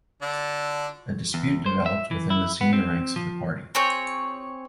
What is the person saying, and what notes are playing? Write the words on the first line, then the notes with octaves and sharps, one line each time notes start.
A dispute developed within the senior ranks of the party.
D3 D4
E2
C5
E5
E3
E4
B3
C4
F3
C4 G#4 C#5 G6